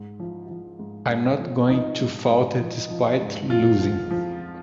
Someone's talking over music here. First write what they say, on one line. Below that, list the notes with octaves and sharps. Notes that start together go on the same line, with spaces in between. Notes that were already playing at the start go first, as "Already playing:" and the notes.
I'm not going to falter despite losing.
Already playing: G#2
F3
F3
G#2
G#2
F3
F3 D#4
G#2
G#2
F3
F3
G#2
F2 F4
F3
F3